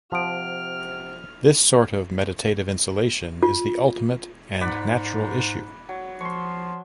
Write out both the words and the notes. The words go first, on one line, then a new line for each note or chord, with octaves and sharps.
This sort of meditative insulation is the ultimate and natural issue.
C3 F3 F#5 F6 D7
F4
G#2 D5 F#5 B5
F#3
F3 C6 C#6